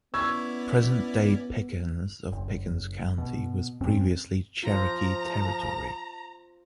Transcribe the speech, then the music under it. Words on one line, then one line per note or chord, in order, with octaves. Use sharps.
Present-day Pickens of Pickens County was previously Cherokee Territory.
B3 C#4 E4 D5 C#6 E6 G#6
F#1
B2
E1 F#2 C4 C#4
F3 F4 C5 A#5